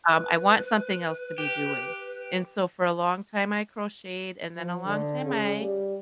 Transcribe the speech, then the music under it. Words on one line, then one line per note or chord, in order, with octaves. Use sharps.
um, I want something else to be doing, and so, for a long time I crocheted, and then a long time I
B4
G4
F3
D3
C#3
G3